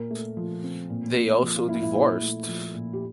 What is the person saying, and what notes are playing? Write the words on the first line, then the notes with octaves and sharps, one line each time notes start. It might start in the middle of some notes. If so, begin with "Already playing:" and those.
They also divorced.
Already playing: A#2 A#4
A3
F3
C4
A#2
A#3
F3
F4
A#2 E4
E4
A#2 E4
A3
F3
A#2
G4